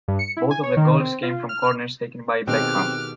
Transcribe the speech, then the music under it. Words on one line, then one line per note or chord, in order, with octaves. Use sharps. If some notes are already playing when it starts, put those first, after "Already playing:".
Both of the goals came from corners taken by Beckham.
G2
C#7
E4
G#5
C#5
D#3
C4
F4
F6
F6
B2 D#3 C4 G4 G#4 D6 F6 F#6